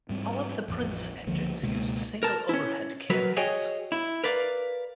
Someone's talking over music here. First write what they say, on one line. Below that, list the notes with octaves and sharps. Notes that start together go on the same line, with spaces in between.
All of the Prince engines used single overhead cam heads.
G#2 G3 C4
A1 F2
C#2 D3 F3 A#3
C#2 B2 G#3 A#3
A#4 A5
C#4 E4
F#3 A#4 B4
F#4 G#4 C#5 D#5 G5 G#5
E4
A#4 B4 D5 F5